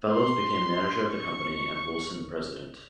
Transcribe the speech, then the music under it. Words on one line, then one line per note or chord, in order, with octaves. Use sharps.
Fellows became manager of the company and Woolson the president.
C6
C#6